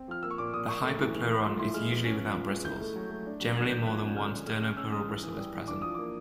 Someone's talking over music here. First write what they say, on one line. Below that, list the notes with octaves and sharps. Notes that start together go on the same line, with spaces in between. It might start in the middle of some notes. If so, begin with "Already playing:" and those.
The hypopleuron is usually without bristles; generally, more than one sternopleural bristle is present.
Already playing: C4
F3 F6
A#3 E6
C#6
A#2 D6
A#2 D#6
A#3 C#6
A3
E3
E3
A3
B5
F3 C6
E4 C6
G#3 F6
B3
C#4
F3
F3
G#3
E4 G6
A3
F#3
A3
D4
F#3
D#3 G#6
A#3 G6
F3 F#6
C#4
D3 F6
D3
G#3 F6
C#4 F6
C#4 E6
G#3 D#6
E3
E3
G3
E3
D4 D6
F3 D#6
A#3 D6